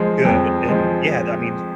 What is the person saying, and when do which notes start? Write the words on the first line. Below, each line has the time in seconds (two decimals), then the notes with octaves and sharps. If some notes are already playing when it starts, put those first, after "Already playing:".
good, and, yeah, that means
Already playing: F3 G#3
0.25 F2
0.68 F3 G#3